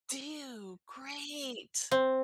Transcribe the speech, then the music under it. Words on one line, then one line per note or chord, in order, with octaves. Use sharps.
Do you? Great!
C4